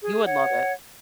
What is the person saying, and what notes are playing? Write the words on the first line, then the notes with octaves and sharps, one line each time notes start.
You would love it.
G#4
C#5 F#5